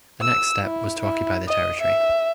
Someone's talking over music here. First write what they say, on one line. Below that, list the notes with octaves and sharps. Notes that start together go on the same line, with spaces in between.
The next step was to occupy the territory.
E6
E4
E4
D#5
E5